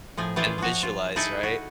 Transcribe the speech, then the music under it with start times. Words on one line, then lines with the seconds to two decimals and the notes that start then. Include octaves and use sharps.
And visualize, right?
0.17 A2 F3 G#4
0.36 E3 C#4 F4 G#4 C5 D5
0.58 F3 F#4
0.83 F4
1.16 D#4 E4 G#4 A4 D#5 E5
1.43 F#4